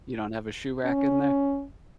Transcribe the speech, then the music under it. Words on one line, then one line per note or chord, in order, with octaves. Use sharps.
You don't have a shoe rack in there?
C#4